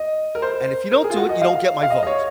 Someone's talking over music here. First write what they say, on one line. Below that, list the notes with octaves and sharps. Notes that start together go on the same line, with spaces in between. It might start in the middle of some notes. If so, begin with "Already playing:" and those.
"And if you don't do it, you don't get my vote."
Already playing: D#5
A#4
C5
A#4
G#4
F4
F#4
D#5
F5
F5
D#5
D#5
C#5